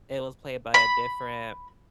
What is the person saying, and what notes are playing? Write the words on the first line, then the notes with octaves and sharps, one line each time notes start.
it was played by a different
B5